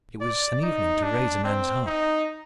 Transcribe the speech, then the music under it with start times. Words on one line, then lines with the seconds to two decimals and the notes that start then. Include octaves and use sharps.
It was an evening to raise a man's heart.
0.21 D5
0.62 D#4
1.03 D4
1.44 C4
1.86 D#4